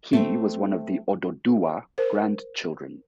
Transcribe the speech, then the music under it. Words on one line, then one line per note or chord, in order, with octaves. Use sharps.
He was one of the Oduduwa grand children.
A3 C4
A#4 C5